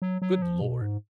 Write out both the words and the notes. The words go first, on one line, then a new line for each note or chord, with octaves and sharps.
Good Lord!
F#3
F#3
F3
B2
G#2